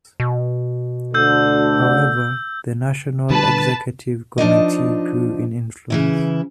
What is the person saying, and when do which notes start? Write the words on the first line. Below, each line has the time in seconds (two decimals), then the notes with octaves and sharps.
However, the National Executive Committee grew in influence.
0.20 B2
1.14 D2 D3 E6 G6
3.30 D3 G3 B4 A5
4.38 F3 D4 D#4 D#5
5.90 C#3 E3 E4